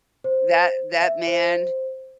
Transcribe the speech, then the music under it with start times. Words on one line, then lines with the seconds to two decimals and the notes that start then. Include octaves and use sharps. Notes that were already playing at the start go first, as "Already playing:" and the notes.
that that man
0.24 C5
1.01 E5
1.27 C5